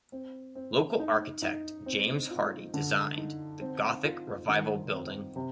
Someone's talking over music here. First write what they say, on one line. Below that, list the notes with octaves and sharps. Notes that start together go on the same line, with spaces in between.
Local architect James Hardie designed the Gothic Revival building.
C4
C4
D#4
D#4
C4
F4
D3
D#4
C4
F4
D#3
C4
C3